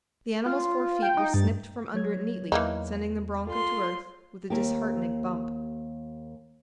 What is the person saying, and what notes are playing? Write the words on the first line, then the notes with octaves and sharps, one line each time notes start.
The animal's four feet were snipped from under it neatly, sending the broncho to earth with a disheartening bump.
F4
G5
D#4
G2 A6
F#3 C#5 G#6
E2 E3 A#3 D#4
F4 A4 C6
D#2 A#3 G4